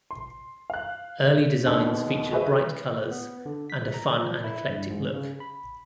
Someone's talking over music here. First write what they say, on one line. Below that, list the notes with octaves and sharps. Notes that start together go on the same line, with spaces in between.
Early designs featured bright colors and a fun and eclectic look.
C6
F5 F#6
D#2 B2 D3 G#3 B3
F#4 G#4 B4 C5 D#5 E5
B4
B3
D3
B6
A#5
F3
E4
G2
G#2
C#3
B5